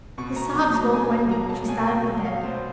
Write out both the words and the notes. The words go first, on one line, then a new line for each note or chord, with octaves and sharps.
His sobs woke Wendy, and she sat up in bed.
B2 C#6
A#5
F#3 A#5
A5
B2 G#5
A5
F#3 A#5
A5
B2 G#5
G5
F#3
F5
B2 C5